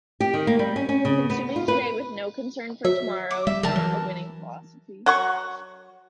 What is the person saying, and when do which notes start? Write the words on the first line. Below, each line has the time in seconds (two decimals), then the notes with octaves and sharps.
Consuming today with no concern for tomorrow is not a winning philosophy.
0.20 G4
0.34 D#3
0.47 A#3
0.59 G3
0.76 C#4
0.89 C#4
1.05 C#3
1.30 B3
1.56 F4
1.68 B4
2.85 F#3 E5
3.31 D6
3.47 G3 E5
3.63 D#3 E3 F#3 A#4 A5
3.76 E3 F#3
5.06 F#3 F#5 C#6